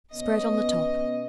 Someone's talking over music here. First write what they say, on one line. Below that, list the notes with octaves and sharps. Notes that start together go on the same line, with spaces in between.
Spread on the top.
B2 B3 C#4 D#5